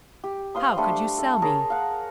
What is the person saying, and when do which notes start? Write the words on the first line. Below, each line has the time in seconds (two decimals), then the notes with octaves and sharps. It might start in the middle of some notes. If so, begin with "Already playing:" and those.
How could you sell me?
0.24 G4
0.55 C5 F5 C6 D#6
0.77 G3 A3 D4
1.18 A4
1.42 G#4 A#4 C#5 A5
1.70 F5 F#5